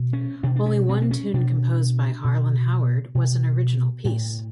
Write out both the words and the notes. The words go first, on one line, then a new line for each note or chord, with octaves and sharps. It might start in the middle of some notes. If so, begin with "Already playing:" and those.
Only one tune composed by Harlan Howard was an original piece.
Already playing: B2
C#4
B2 D4
D4
C#4
C4
C4
C#4
B2 D4
B2
B2
A2